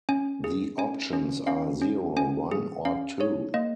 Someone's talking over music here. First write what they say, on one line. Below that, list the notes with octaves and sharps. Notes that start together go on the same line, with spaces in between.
The options are zero, one, or two.
C#4 G#5
G#4
C#4 G#5
C#4
C#4 F5
C#4
C#4 G#5
G#4
C#4 F5
G#4 C#5
A#3 D#5